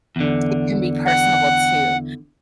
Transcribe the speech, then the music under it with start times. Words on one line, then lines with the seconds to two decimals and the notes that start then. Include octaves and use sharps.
It can be personable too.
0.16 E2 D3
1.05 F#5